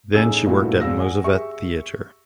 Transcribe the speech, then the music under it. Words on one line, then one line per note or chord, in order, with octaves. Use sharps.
Then she worked at Mossovet Theater.
A1 A3 D#4 G#4 G#5 E6
G2 A#2 A3 B3 E4 F#4
G#1 G#4 F5 E6 A#6
F#5 G#5
G4 G#4 E5 C#6